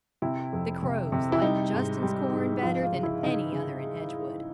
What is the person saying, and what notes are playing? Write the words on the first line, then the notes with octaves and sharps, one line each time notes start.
The crows liked Justin's corn better than any other in Edgewood.
C3 E4
F2
C3
C3
E4
G3 D#4
G#2
G3
G#2
F3 F4
F4
C#3
E4
C#3 D#4
C#3